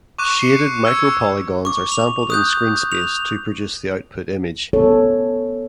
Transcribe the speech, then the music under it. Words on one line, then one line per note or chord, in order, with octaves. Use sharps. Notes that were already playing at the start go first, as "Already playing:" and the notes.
Shaded micropolygons are sampled in screen space to produce the output image.
C#6 D6 F#6 D#7
C7 C#7
E6 G#6 C#7
C#6 D6
F7
D#6 F#6 G6
F7
B3 A4 C#5